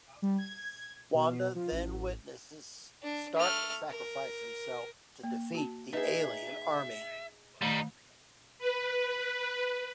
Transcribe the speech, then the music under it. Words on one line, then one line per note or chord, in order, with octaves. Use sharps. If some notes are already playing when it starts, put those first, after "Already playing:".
Wanda then witnesses Stark sacrifice himself to defeat the alien army.
G3
G#6
B2
F3
A1
D4
A3 F6
A#4
A#3
F#4 A5
D#4 G#4 B4 E5
D#3 G3 A3 D#4
B4